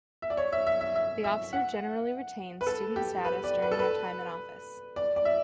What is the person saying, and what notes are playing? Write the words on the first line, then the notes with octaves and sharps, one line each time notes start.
The officer generally retains student status during their time in office.
E5
D5
C#5
E5
E5
E5
E5
E5
F#5
B4
A4
G4
B4
D5
B4
A4
B4
D5
D5
E5